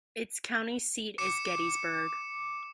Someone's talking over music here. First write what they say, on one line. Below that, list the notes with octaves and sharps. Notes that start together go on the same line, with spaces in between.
Its county seat is Gettysburg.
D6 C#7 E7